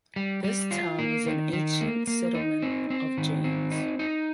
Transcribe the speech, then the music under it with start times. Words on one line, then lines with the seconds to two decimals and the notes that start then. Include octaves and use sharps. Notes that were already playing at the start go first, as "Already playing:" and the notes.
This town was an ancient settlement of Jains.
0.16 G3
0.44 G3
0.71 F4
0.99 A#3
1.26 D#3
1.53 D#3
1.81 A#3
2.07 A#3
2.35 D#4
2.62 C4
2.90 C4
3.18 D#3
3.44 C4
3.72 D#4
3.99 D#4